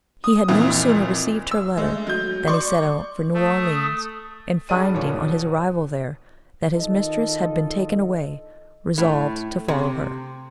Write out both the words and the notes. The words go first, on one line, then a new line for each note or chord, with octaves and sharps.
He had no sooner received her letter, than he set out for New Orleans; and finding on his arrival there, that his mistress had been taken away, resolved to follow her.
D#6
F2 A#2 E3 F3
E6
G#3 A3
F#3 G6
D5 C6 C#6
A3 D#6
G2 G3 F#4 G#4 D5 D#7
D#2 A#2 F3 C#5
B2
D#3 D4 F4 A4 D#5
A2
C3